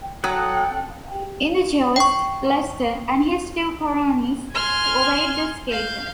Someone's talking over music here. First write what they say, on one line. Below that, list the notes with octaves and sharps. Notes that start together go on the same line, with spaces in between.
In the joust, Lester and his two cronies await the skater.
F#3 A4 F#5 G5 D#6 F#6
G5 C#6
G#5 C6 F6 G#6
F5 G6